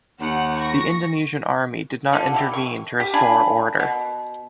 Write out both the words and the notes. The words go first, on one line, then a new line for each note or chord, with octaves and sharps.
The Indonesian army did not intervene to restore order.
D#2 F#5
C#6 A#6
D3 F3
E4 G4
C#6
G4
D4 F4 G#5 B5
B2